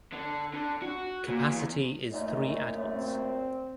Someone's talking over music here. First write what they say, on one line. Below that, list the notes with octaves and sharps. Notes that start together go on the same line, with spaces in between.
Capacity is three adults.
D3
D3
F#4
A#2
E2
F#2 A#2 A3 D#4
C4